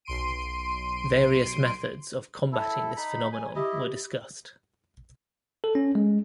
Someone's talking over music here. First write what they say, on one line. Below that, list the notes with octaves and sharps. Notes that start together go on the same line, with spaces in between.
Various methods of combatting this phenomenon were discussed.
B1 C6 C7 D7 D#7
E4 A4
D#4 B5
G#5
E4 G4 D#5
A4
C#4
G#3